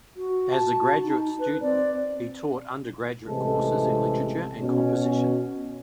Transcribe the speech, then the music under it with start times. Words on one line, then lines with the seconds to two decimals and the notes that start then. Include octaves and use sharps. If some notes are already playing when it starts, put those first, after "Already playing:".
As a graduate student, he taught undergraduate courses in literature and composition.
0.16 F#4
0.51 A5
1.03 D#4
1.39 B4
1.61 C4 D5
3.27 A1 C3 E3 G#3 A4
4.61 B2 C#4